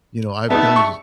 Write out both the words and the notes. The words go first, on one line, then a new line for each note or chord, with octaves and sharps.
you know, I've done j
B3 D#4 E5 A5
C#6